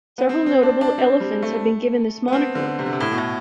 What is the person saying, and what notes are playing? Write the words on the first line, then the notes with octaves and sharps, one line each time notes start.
Several notable elephants have been given this moniker.
B3
C4
C4
D4
D4
C4
G3
A3
B3
C4
D3
C3
D3
C3
A2
B2
A2